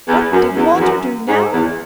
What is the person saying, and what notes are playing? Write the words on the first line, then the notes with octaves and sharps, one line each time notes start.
What did Walter do now?
E2
F#2
E2
E2
F#2
G#2
E2